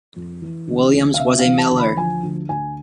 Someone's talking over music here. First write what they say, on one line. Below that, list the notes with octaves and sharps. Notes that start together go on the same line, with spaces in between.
Williams was a miller.
F2
E3
D2
D2
F5
C3 E5
F5
E3
A5
D2
B5
F3 G#5
D2
D2 G#5